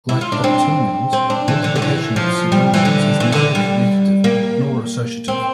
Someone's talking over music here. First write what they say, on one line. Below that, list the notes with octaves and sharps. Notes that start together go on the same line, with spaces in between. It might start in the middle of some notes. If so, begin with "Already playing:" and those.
Like octonions, multiplication of sedenions is neither commutative nor associative.
E4
F4
D4
C4
C4
D4
E3
D3
D3
E3
F3
G3
E3
D3
E3
D3
G3
A#3
C4